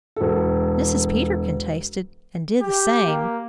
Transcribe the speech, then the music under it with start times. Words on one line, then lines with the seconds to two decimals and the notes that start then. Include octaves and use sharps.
Mrs. Peterkin tasted, and did the same.
0.16 E1 A4
2.61 G4
3.06 A#3